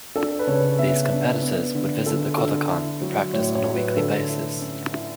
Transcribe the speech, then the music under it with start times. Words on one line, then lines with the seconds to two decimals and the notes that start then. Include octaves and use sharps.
These competitors would visit the Kodokan for practice on a weekly basis.
0.15 D4 A4
0.39 B4
0.47 C#3 C#5
0.79 B3 E5
1.11 D4
1.42 B3
1.75 D3
2.06 D3 A4
2.38 D3 A4
2.70 E4
3.02 F#3
3.33 A2 C#5
3.55 C#5
3.65 F#3
3.76 B4
3.97 D3 A4
4.29 E4
4.61 C#4
4.93 E4